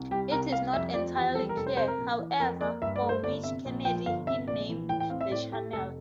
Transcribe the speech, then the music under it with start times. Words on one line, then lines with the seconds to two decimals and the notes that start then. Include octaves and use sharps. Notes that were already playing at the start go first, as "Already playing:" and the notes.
It is not entirely clear, however, for which Kennedy he named the channel.
Already playing: C2
0.11 G3 G4
0.32 C2 A#4
0.52 G3 F5
0.73 F2 E5
0.94 F3 D5
1.15 E2 G4
1.35 G3 A4
1.49 A#4
1.56 F1 A4
1.67 C5
1.77 C3 C5
1.88 A#4
1.98 A#1
2.19 E3
2.40 F2 A#4
2.61 A#3 D5
2.82 G2 E5
2.96 D5
3.02 A3
3.09 C5
3.23 G1 D5
3.44 C3 E5
3.65 A#1
3.85 F3 G5
4.06 G1 F5
4.27 C3 E5
4.48 A#1 D5
4.69 E3
4.89 A2 G5
5.00 G5
5.10 C4 F5
5.21 E5
5.31 A2 D5
5.52 A3 G4
5.72 F1 A4